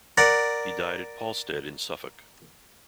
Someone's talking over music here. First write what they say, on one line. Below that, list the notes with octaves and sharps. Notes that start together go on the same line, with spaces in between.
He died at Polstead in Suffolk.
A#4 D5 F#5